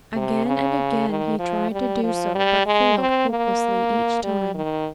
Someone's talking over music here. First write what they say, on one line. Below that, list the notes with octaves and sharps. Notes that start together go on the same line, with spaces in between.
Again and again he tried to do so, but failed hopelessly each time.
C3
C#3
D#3
F3
G3
F3
G3
G#3
C4
A#3
G3
D#3